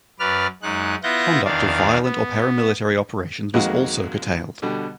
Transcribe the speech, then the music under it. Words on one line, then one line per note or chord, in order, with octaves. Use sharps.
Conduct of violent or para-military operations was also curtailed.
F#2 B4 D5 F6
F#2 G#3 D#4 F#6
B3 E4 F4 F#5 G6 A#6
E2 D#3 D4 F5
B3
F2 D#3 G#3 A#3 F#4 F#5
B2 D3 G3